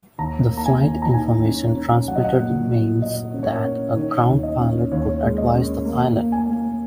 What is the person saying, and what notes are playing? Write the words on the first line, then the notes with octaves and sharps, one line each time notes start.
The flight information transmitted meant that a "ground pilot" could advise the pilot.
D#2 A#5
A#3
A#5
G#5
D#2
A#5
D#3 G#5
C#4
C#4
F#3 F#5
D#5
F#5
A#2
F#3
A#2 D#5
C#4
C#5
A#4
C#4
D#3 C#5
D#2
D#5
C#4
D#2 C#5
G#3
D#5
C#4
A#3
A#3
G#5
A#3